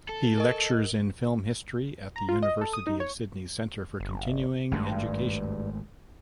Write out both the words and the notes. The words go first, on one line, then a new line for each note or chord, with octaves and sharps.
He lectures in film history at the University of Sydney's Centre for Continuing Education.
A4
A#4 D#5
A#5
F4
D#5
A4
D#6
D#4
C#5
G1
G#1 G2 G#3 A3